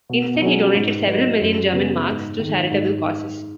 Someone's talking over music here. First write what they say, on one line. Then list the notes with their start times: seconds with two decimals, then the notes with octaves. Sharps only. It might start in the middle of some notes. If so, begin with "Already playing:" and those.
Instead, he donated several million German marks to charitable causes.
0.09 B2
0.41 F#3 C#4 G#4
0.75 G#2
1.07 F#3 D#4 B4
1.41 F#2
1.73 C#3 B3 G#4 B4
2.07 G#2
2.40 D#3 G#3
2.71 G#2